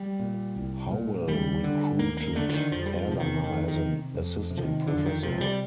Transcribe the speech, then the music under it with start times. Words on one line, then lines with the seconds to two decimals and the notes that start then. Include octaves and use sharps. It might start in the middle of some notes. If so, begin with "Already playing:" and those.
Howell recruited Erlanger as an Assistant Professor.
Already playing: G3
0.19 A#2
0.56 C2
0.91 A#2
1.27 D#2 G3
1.64 D3
1.99 D#2 A#3
2.17 A#3
2.35 D3 A3
2.49 F3
2.53 D#3
2.71 F2 F3
2.86 G3
2.95 F3
3.08 C3 F3
3.19 D#3
3.43 F2 D#3
3.68 D#3
3.78 C3
4.14 F2
4.51 C3
4.58 F3
4.63 D#3
4.86 F2 D3
4.97 F3
5.05 D#3
5.23 C3 F3
5.41 G3